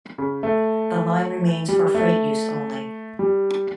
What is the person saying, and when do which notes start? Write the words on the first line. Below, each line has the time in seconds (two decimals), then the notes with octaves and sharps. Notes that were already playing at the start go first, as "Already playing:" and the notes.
The line remains for freight use only.
0.18 C#3
0.43 A3
1.68 G3
1.95 A3
3.19 G3